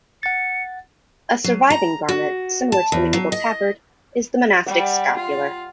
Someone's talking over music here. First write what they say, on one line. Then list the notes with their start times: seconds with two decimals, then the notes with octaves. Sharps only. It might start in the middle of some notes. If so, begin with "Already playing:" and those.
A surviving garment similar to the medieval tabard is the monastic scapular.
0.23 F#5 A6 C#7
1.44 F#3
1.70 A#5
2.09 F#4
2.72 A5
2.92 E2
3.14 F#3
3.32 D#5
4.66 G3 F#5
5.16 F4